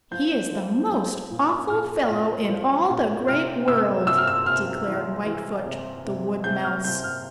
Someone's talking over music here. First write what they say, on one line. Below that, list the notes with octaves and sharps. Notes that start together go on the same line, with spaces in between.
"He is the most awful fellow in all the Great World," declared Whitefoot the Wood Mouse.
F3 G6
F3
F3
A#2
A#2 F6
A#2
F3
A#2
C3 F6
C3 E6
C3 E6
F6
E6
C3 F6
E3
E3
C3
C3
C3 G6
F6
C3 G6
F6